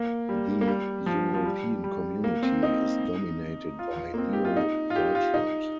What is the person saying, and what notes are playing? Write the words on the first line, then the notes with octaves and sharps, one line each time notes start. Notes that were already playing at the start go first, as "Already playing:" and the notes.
The European Community is dominated by Neo-Deutschland.
Already playing: A#3
G3
A#3
G3
F3
F3
G3
G3
A#3
C4
D#4
F4
A#3
C4
G4
F4
D#4
F4
G4
F4
D#4